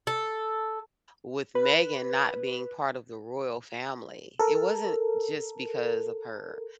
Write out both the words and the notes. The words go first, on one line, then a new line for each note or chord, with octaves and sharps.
with Meghan not being part of the royal family, it wasn't just because of her,
A4
B4
A4 A#4